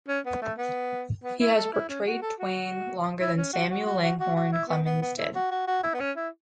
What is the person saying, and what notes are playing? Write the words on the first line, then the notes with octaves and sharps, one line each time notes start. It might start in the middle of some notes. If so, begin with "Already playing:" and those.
He has portrayed Twain longer than Samuel Langhorne Clemens did.
C#4
B3
A3
B3
B3
E4
A4
E4
C#4
F#4
A4
F#4
E4
C#4
F#4
F#4
F#4
F#4
F#4
F#4
E4
B3
B3
B3
E4
F#4
F#4
F#4
E4
B3
C#4
E4